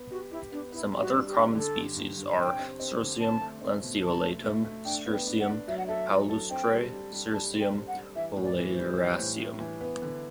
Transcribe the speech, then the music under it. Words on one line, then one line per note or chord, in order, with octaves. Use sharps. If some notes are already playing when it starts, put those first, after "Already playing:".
Some other common species are: "Cirsium lanceolatum, Cirsium palustre, Cirsium oleraceum".
Already playing: B3
F#4 G4
E4 G4
B3 D4
B3 E4
G3
F#4
D4
G4
D4
D3 A4
G2
G2
G2
C4 G5
C4
C4
D3
C4 A5
A3
C4
B2
B2 A5
A3
A3
A3
D4 G5
B3
G5
D4
F#5
D4
F#3 E5
F#5
A4 E5
F#3
A4
C4 G5
G3
G3
G3
G3 A5
C4
G5
G3
F#5
G3
E3 E5
A2
D5
E3
C5
G3
E3
A2
A2
E3
B3
D3